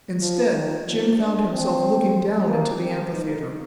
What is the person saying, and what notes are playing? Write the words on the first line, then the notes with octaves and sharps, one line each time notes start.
Instead, Jim found himself looking down into the amphitheatre.
F3
D#3
F3
D4
C4
A#3
C4
D#4